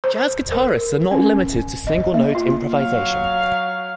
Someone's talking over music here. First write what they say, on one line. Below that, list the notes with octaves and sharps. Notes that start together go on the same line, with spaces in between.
Jazz guitarists are not limited to single note improvisation.
C5
A#4
C#4
D#5
A#3
F4
F#3 F5